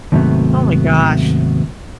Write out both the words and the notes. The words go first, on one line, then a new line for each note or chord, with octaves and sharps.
Oh my gosh.
D#2 G#2 C3 F#3 A3 B3